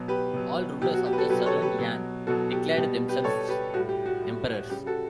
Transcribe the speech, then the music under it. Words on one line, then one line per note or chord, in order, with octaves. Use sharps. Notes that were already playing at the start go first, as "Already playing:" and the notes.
All rulers of the Southern Yan declared themselves "emperors".
Already playing: B2 F#3
G4 B4
B2 F#3
B2 F#3 G4
F#4
G4
B4
F#4 A4
B2 F#3 G4 B4
A4 C#5
G4 B4
B2 F#3
B2 F#3 F#4 A4
G4
B2 G3 G4
G4 B4
B2 G3 A4 C#5
G4 B4
A2 G3 F#4
G4
F#4
A2 G3
C#3 G3 G4
F#4 A4